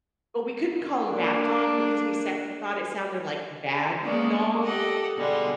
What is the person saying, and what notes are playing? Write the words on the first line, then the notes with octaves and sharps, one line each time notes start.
but we couldn't call him Bat Dog because we set thought it sounded like "bad dog."
A#3 D4
G#3 A#3 B3 C#4 D4 D5
G4 A4 D#5 F#5
B2 D3 G3 G#3